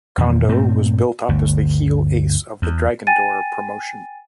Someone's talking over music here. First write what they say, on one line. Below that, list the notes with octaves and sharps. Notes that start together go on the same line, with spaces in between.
Kondo was built up as the heel ace of the Dragondoor promotion.
E2 A#2 D#3
G2 A#2 A3 C4
G1 D2
E2
G5 G#5 A6 D#7